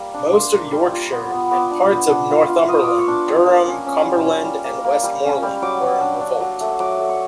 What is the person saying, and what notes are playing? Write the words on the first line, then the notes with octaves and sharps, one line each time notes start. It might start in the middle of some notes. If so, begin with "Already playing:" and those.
Most of Yorkshire, and parts of Northumberland, Durham, Cumberland and Westmorland were in revolt.
Already playing: G3 A#3
D4
A#3 C6
A#3
G3
F4
B3
B3
B3 D6
D4
B3
D4
F4
F4
F4 D#6
F4 D6
C#6
D4 D6
G3 D#6
A#3
C#4
C#4
G3
C#4
G3
A#3
A#3
G3
C#4
G3
F#3 D6
F#3
D4
D4
F#3
A3
F#3 D6
A3
C#6